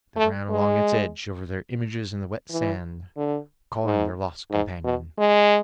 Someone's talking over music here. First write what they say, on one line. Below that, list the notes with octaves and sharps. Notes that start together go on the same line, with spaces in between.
They ran along its edge over their images in the wet sands, calling their lost companion.
A3
G#3
E3
D3
G#2
G#2
B2
G#3